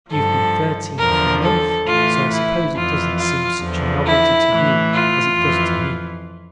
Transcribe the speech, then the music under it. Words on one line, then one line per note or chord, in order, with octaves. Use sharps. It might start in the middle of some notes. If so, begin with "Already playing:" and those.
You've been thirteen for a month, so I suppose it doesn't seem such a novelty to you as it does to me.
G2 F3 A4
E2 D3 F3 A#4
A4
A2 E3 F4
E4
F2 E3 F4
F4
E2 D3 F3
E4
A2 E3
F4
F2 E3